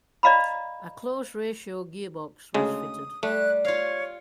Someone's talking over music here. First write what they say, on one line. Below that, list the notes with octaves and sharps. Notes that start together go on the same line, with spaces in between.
A close-ratio gearbox was fitted.
D5 D#5 F5 A#5 B5
D2 C#3 G#3 D#6
G3 A3 F#6
F4 C#5 F5